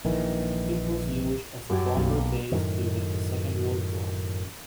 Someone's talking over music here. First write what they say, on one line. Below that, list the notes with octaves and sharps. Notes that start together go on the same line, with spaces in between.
It was used as a bomber base during the Second World War.
A#1 D#3 E3
F#2 G4 G#6
B1 A#3 G4
F#2 A2 D#3